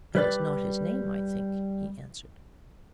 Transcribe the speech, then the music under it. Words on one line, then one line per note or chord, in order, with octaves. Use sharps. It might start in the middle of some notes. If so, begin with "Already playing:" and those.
"That is not his name, I think," he answered.
G3 B4 D5